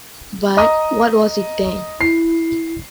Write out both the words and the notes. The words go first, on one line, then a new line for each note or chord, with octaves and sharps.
But what was it then?
D#5 A#5 D#6
E4 C7